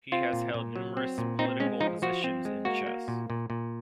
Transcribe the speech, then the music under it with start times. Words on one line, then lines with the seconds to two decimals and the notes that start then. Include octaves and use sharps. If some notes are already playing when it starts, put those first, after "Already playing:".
He has held numerous political positions in chess.
0.12 C4 F4
0.33 A#2
0.54 A#2
0.76 F#3
0.97 C4
1.18 A#2
1.39 C4 D#4
1.60 G#3 C#4
1.81 F3 D#4
2.02 F3 F#4
2.24 C4
2.45 G#3
2.65 A#3 F#4
2.87 A#3
3.08 A#2
3.30 A#2
3.50 A#2